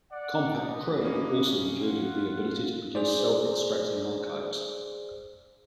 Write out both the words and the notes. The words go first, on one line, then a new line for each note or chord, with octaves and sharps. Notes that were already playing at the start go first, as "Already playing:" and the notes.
Compact Pro also included the ability to produce self-extracting archives.
D5 F#5
D4 B4 D#5
A#3 C#4
F4 F#5
G#4 C5 D5